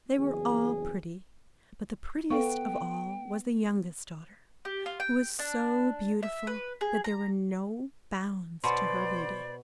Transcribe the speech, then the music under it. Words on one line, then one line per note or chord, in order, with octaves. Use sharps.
They were all pretty, but the prettiest of all was the youngest daughter, who was so beautiful that there were no bounds to her beauty.
F#1 E2 G#4
B3 A4 F5 G5 C#6
G4
F4
G5
D4
E5
B4
G#4
A#5
B2 C5 D5 B5 C6